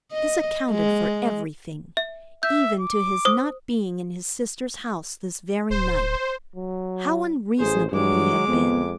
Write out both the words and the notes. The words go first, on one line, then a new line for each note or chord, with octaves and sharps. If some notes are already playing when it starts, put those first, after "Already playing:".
This accounted for everything, even to his not being in his sister's house this very night. How unreasonable he had been!
D#5
G#3
E5
E5 G6
D6
C5 D#6
D1 C5
F#3
A1 G#4 C5
G2 F#3 G#3 D6
F2 B3